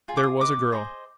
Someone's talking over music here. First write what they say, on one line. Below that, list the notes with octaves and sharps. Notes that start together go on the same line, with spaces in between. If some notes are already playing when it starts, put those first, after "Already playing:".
There was a girl.
F4 G#4
D6
D#6
F#4 B4 D#5 D6
G#4 C5 D#5